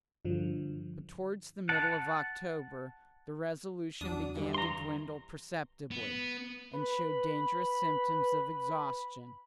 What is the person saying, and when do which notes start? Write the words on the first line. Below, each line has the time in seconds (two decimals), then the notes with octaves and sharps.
But towards the middle of October the resolution began to dwindle perceptibly, and showed dangerous symptoms of exhaustion.
0.25 G2 D3 F3
1.69 F#5 A5
4.01 E2 F#3 D4 D#6
4.36 G2 E3
4.54 A#5 C6
5.91 B3
6.73 B4 B5